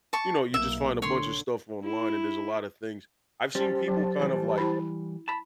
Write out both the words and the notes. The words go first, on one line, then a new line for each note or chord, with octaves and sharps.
you know, you just find a bunch of stuff online and there's a lotta things I've seen people kind of, like
A5 C#6
B1 A#3 E5
D3 C#5 C6
E4
G3 C#4 G4 C5 A5
F#3
E3 G3
E4 B5
A5 B5